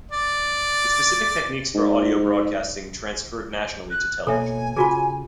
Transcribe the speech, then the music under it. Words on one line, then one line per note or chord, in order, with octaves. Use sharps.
The specific techniques for audio broadcasting transferred naturally to television.
D5
G#2
F#6
B2 A#3 A4 C#5 E5 G#5
C#3 F4 F#4 G#4